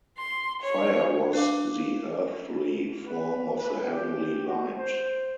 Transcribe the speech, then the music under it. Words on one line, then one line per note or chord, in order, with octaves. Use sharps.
Fire was the earthly form of the heavenly light.
C6
C#5
D4 B4 F5 D6
B4
B4
G4
F#4
C5